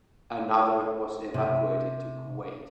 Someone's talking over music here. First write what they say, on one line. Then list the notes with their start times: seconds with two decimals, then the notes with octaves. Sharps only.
Another was evacuated to Kuwait.
1.34 C3